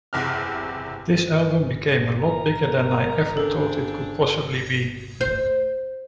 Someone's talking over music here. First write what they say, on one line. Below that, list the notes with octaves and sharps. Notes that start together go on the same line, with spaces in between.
This album became a lot bigger than I ever thought it could possibly be.
F#1 E2 C3 F6
A#4 A#5
C#3 C4 D4 A4
C5